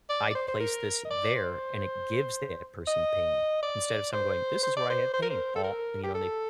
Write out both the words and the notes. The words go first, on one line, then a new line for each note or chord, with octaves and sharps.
I place this there, and it gives that person pain. Instead of someone going, this is where I have pain, and, you know, and they
D5
D5
C5
C5
A#4
D#5
D5
C5
D#5
D5
C5
C5
D5
C5
C5
A#4
C5
A4
A#4
G4
A4